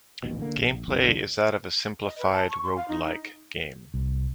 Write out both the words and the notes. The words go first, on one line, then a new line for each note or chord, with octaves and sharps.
Gameplay is that of a simplified roguelike game.
D#1 A1 D#2 B2
D3 A#3
A#1
G1 C2 F#2
E1 C2 D3
D#5
B4
A5
C#6
C6
F5
D#4
D#4
C2